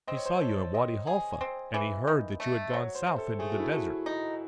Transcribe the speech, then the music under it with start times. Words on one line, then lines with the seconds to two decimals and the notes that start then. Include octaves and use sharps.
He saw you in Wadi Halfa, and he heard that you had gone south into the desert.
0.08 C4 D#5
0.17 C#5
0.25 C5
0.33 C#5
0.41 A4
0.74 C4 D#5
1.07 G#4
1.41 C4
1.74 E3
2.07 D#3
2.40 A3
2.70 C5
2.73 F#3 C#5
2.95 C5
3.07 C3
3.18 A4
3.39 A3 G#4
3.50 F#4
3.60 E4
3.71 A3 F#4
4.06 D#4